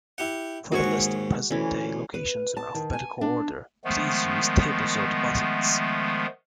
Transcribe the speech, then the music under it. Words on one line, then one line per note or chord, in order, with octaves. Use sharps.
For the list of present-day locations in alphabetical order, please use table-sort buttons.
E4 G4 F#5
D#2 G#2 F#4 G#4 C#6
D2 E3 C#4
B4
A5
D#3
G#5
D4
D#3 F3 G#3 A3 B3